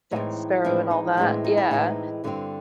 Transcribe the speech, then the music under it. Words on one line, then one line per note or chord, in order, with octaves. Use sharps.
Jack Sparrow and all that yeah.
A2 E3 G#3 C4 D#4
A2 E3 G#3 C4 D4
D#4
A2 E3 G#3 C4 D4
D#4
E4
A2 E3 G#3 C4 D#4
G2 D3 G3 C4